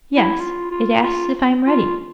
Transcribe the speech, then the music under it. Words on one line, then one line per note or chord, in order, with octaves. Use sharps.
"Yes; it asks if I am ready."
E4
F4
F4
F4
F4